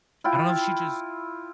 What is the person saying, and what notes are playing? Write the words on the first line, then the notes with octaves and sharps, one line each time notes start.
I don't know if she, just
E4 F4 G5